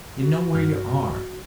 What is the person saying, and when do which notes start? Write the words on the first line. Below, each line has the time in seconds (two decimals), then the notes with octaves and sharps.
You know where you are.
0.18 F#4
0.54 G2 F6 G6